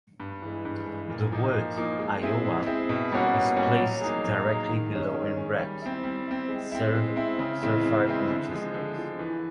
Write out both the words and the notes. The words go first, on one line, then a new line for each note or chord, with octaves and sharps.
The word "Iowa" is placed directly below it in red, serifed majuscules.
G2
E3 G#3
G2
E3 G#3
A#2
F3 A#3 D#4
A#2
F3 A#3 D#4
G#3
C4 E4 G#4
G#3
C4 E4 G#4
B2
G3 A#3 C#4 F#4
B2
G3 A#3 C#4 F#4
F#3
A#3 D#4 G#4
F#3
A#3 D#4 G#4
D#3
G#3 C#4
D#3
G#3 C#4
G3
C4 E4
G3
C4 E4
G#3
C4 E4
G#3
C4 E4
C#3
E3 G#3 C4 E4
C#3
E3 G#3 C4 E4
D3
F3 G#3
D3
F3 G#3
E3